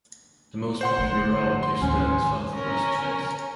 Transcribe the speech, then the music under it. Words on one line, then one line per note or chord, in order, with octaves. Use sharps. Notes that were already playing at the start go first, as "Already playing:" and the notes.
The most popular route is the southwest face.
C5 F#5 C6
D3 A3
C6
A1 D#2 C#4
C#4 A#4